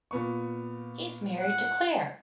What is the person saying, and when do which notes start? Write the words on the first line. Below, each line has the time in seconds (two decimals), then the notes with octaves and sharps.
He is married to Claire.
0.11 A#2 B3 C#6
1.38 F#5